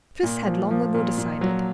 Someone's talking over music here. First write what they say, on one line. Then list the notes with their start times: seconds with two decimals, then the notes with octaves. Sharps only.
Chris had long ago decided.
0.23 A#2
0.47 F3
0.71 F3
0.94 A#2
1.18 A#2
1.41 F#3